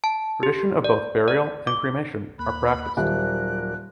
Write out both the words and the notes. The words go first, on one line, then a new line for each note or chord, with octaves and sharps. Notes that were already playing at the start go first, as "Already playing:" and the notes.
Tradition of both burial and cremation are practised.
A5
G4
D5
D5
D6
D#2 A#3 B5 F#6
D#1 F#3 A#4 D5 F#6